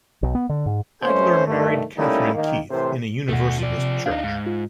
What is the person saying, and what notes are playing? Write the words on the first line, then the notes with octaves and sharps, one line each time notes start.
Adler married Katherine Keith in a Universalist church.
B1
B3
D3
G#2
F2 A3 C#4 B4 C5
G2 D#3 A3
G3 A3 A#3 C#4 D#4 E4
D#3 A#3
A2 C3 E3 A#4 C5
D#2 B2 A3 F#4
F3 D5
C3
D2 D4 D#4 F5
G#2
F4